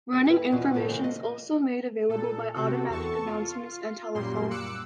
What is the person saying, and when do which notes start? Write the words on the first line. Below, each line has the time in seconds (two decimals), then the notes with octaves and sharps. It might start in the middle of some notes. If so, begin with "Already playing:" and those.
Running information is also made available by automatic announcements and telephone.
0.13 D#2
0.26 E4 B4
0.51 E2 B2 F4
0.74 A2 D3 G#3 C4 A4
0.88 C#3 E3 F3 G#3 A#3
1.04 D#5
2.09 A#2 A4
2.54 C3 C4 F#4 A4
2.89 E2 A4 A5 C#6
3.26 F4
4.14 F#2 A#2 G3 A#3 C6
4.50 D6 E6 F#6 C#7